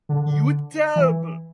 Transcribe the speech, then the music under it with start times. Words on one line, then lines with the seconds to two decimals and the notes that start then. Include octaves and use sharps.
You were terrible!
0.09 D3
0.26 D3
0.96 E3